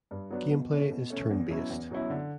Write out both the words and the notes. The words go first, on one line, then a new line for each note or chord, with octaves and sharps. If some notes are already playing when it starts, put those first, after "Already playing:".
Gameplay is turn-based.
G2
F#3 B3 D4
B2
A3 C#4
B2
A3 C#4
E2
B2 F#3 C#4 E4
E2
B2 F#3 C#4 E4
D3